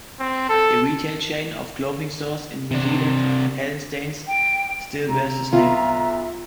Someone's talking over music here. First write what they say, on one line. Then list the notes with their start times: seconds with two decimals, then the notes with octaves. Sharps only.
The retail chain of clothing stores in New Zealand, Hallensteins, still bears his name.
0.19 C4
0.49 A4
2.71 C3 D4
4.27 G5
5.09 C3 A#5
5.53 B1 B3 F4 E5